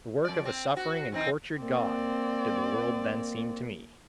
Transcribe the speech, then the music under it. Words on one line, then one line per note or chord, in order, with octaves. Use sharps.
The work of a suffering and tortured God, did the world then seem to me.
F2 D5
C4
F#4
E3 C4 D#4
A#3 C4 D5